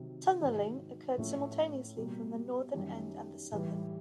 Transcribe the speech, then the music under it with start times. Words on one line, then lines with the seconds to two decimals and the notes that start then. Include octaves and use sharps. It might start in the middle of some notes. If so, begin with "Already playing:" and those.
Tunnelling occurred simultaneously from the northern end and the southern.
Already playing: C3 D#3 F#3
0.40 G#2 D#3 F#3
1.18 A2 F3 A3 C#4 E4
1.97 B2 G3 A#3
2.74 F#2 D#3 G3
3.52 A2 E3 G3